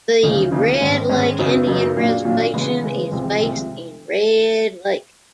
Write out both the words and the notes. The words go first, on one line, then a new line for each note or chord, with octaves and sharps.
The Red Lake Indian Reservation is based in Red Lake.
D2 C#3 F3 A#3 D#4
D2 C#3 F3 A#3 D#4
G#2 D#3 G#3 C#4
G#2 D#3 G#3 C#4
F#2 C#3 F#3 B3 D#4
F#2 C#3 F#3 B3 D#4
A#2 F#3 A#3 D4 F4
A#2 F#3 A#3 D4 F4
C#3 E3 G#3 B3
C#3 E3 G#3 B3
C2 C3 F3 G#3
C2 C3 F3 G#3